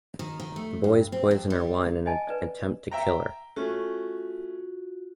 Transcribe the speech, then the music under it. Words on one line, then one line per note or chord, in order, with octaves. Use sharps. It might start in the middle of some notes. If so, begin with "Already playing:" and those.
The boys poison her wine in an attempt to kill her.
D#3
D#3
A3
G2
C4
F2
G3
D#5 G#5 A5
B4 D5
E5 G5 A#5
A3 C#4 F4 F#4